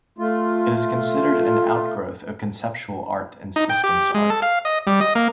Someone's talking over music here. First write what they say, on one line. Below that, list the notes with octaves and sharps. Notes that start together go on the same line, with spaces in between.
It is considered an outgrowth of conceptual art and systems art.
A3 F4
D#4
G5
G4
G#3
A4
F5
D#5
G3
D#5
A#3